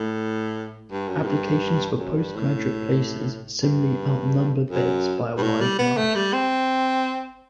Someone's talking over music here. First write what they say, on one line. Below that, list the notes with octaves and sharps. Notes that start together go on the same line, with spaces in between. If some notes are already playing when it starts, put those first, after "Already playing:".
Applications for postgraduate places similarly outnumber beds by a wide margin.
Already playing: A2
G2
F#2
A2
G2
F#2
G2
A2
G2
F#2
G2
A2
G3
B3
A3
G3
C4